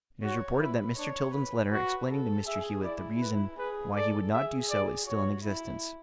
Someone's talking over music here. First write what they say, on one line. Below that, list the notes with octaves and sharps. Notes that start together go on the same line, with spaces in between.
It is reported that Mr. Tilden's letter explaining to Mr. Hewitt the reason why he would not do so is still in existence.
F#4 C#5
E4 B4
D4 C#5
B4
F#4
A4
G#4 E5
E4 D5
B4
G#4 B4
A4 D5
G#4 E5
D5
F#4 C#5
E4